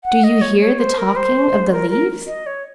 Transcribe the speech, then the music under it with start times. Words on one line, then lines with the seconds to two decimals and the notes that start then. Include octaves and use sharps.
Do you hear the talking of the leaves?...
0.04 F#5
0.24 D#5
0.41 C#5
0.61 C#5
0.79 C5
0.98 A#4
1.16 C5
1.72 A#4
1.90 A#4
2.27 D#5
2.46 C#5